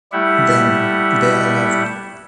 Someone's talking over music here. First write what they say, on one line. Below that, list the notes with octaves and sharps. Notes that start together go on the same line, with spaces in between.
Them, they are loved.
G3 A3 E4 G4 E5 F#5